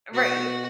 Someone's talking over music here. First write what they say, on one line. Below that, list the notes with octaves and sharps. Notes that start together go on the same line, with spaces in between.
Uh, right, e
B2 F#4